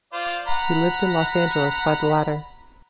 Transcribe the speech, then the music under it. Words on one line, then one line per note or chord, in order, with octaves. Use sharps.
He lived in Los Angeles by the latter.
F4 C5 D5
F#5 A#5 B5